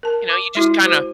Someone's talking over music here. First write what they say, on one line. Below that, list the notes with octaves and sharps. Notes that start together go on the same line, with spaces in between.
you know, you just kinda
A#4 A5
D6
G#3 E4 F#4
F#4 C5